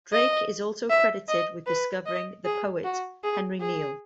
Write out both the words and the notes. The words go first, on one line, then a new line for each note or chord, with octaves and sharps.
Drake is also credited with discovering the poet Henry Neele.
D#5
E5
D#5
B4
D#5
G#4
F#4
G#4
G#4